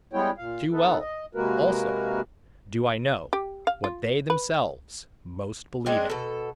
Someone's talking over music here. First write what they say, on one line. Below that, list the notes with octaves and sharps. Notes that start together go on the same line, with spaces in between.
Too well, also, do I know what they themselves most believe in.
G3 G#3 B3 E4 C#5 G5
A#2 F5
B3 D#4 A4 B4
D#5
C3 G#3 A#3 F#4 A#4 B4
G4
F5
F4
B4
G#3 C4 D4
B2 A4